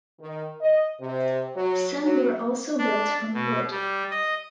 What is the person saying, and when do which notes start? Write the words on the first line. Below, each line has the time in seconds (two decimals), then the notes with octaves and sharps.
Some were also built from wood.
0.20 D#3
0.61 D#5
1.00 C3
1.56 F#3
2.02 F#3
2.79 D4
3.34 B2
3.71 G3
4.11 D#5